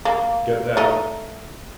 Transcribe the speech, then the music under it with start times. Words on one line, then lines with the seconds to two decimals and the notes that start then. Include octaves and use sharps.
Get that?
0.05 A#3
0.77 A3 D#4